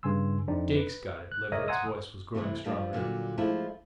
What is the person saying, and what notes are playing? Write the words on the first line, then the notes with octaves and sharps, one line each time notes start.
"Jake's got it." Leverett's voice was growing stronger.
G2 C#3 G#5 C6 E6
F2 C4 D4 D#4 D5
B4
F#6
A#4 C#5 D#5 E5 D#6
F#5 G#5 A#5 C6 D#6 E6
C3 E3 A3 E4
F3 G3 D4
A#2 D3 E3 F#3
F3 G#3 A3 D4 E4